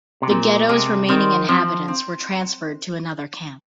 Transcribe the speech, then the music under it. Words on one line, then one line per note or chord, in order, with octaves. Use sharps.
The ghetto's remaining inhabitants were transferred to another camp.
C3
A#2 C4
C3 G#3
D#3 C4
F3 C4
C4